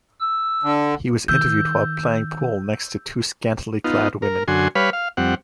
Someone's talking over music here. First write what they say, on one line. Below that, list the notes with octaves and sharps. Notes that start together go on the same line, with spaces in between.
He was interviewed while playing pool next to two scantily clad women.
E6
D3
D#3 E6 G6
B3 D#4 F4
A#4
F#2 D3 F#4 G#5 C6
G3 B4 C#5 F5 B5
F5
F2 G3 C4 F#5